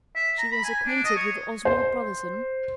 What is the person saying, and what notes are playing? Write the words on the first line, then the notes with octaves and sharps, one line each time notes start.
"She was acquainted with Oswald Brotherson?"
E5
A#5
B5
G#5
D4
D#5
C#5
C5